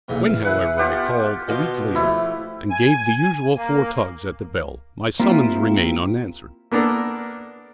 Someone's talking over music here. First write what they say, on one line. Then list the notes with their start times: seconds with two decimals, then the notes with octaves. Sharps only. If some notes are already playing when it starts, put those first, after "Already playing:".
When, however, I called a week later and gave the usual four tugs at the bell, my summons remained unanswered.
0.08 B1 E2 A#2
0.26 E3 F5
0.45 E4 G#4 B4 F#5
0.78 B3 F4 G4 F#5
1.48 B2 D#5 F5 C6
1.95 F3 A3 E4
2.71 G#5
3.57 A#3
5.20 A#3 C4 E4 F4 G4
6.71 A#3 B3 D4 A4 A#4